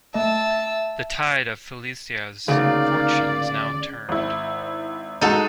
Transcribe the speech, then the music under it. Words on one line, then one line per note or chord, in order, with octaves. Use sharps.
The tide of Filicaja's fortunes now turned.
A3 D#5 E5 A5 E6
D2 C#3 A#3 D#4 D5 F5
G#1 E4
G#3 D#4 F#4 A4 D#7